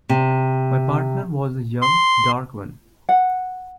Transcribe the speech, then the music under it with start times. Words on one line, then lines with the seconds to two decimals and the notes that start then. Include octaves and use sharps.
My partner was the young dark one.
0.09 C3
1.82 C6
3.09 F#5